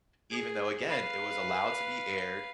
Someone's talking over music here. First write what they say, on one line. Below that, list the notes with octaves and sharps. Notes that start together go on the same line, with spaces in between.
even though, again, it was allowed to be aired,
G#4
B4 F5